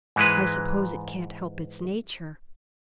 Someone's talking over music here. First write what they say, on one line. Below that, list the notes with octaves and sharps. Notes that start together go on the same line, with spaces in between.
I suppose it can't help its nature.
G#2 E3 G#3 B4